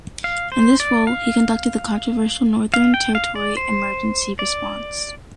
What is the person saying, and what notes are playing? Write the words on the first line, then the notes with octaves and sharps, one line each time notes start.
In this role, he conducted the controversial Northern Territory Emergency Response.
F5
C5
D5
F5
F5
G5
F5
D5
C5
D5